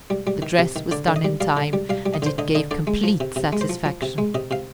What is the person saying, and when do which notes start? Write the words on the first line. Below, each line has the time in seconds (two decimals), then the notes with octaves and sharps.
The dress was done in time, and it gave complete satisfaction.
0.10 G3
0.27 G3
0.42 D#3
0.59 C3
0.76 D#3
0.91 D3 D5
1.08 D3
1.16 D#5
1.24 G3
1.40 G3 F5
1.57 D3
1.73 G3
1.89 G3 F5
2.06 G3
2.14 D#5
2.22 D3 C5
2.38 D3 D#5
2.55 D3 D#5
2.71 D3 D5
2.87 G#3
3.04 F3
3.20 C3
3.36 C3
3.53 G#3
3.61 C5
3.69 F3
3.86 F3
4.02 C3
4.18 G#3
4.35 C3 D#5
4.51 C3 F5